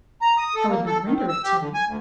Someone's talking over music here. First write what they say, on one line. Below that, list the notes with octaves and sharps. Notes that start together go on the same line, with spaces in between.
"I would not render it to him."
A#5
D#6
A4
A#3
A4
D#3
C4
E6
G4
D3
G#5
D2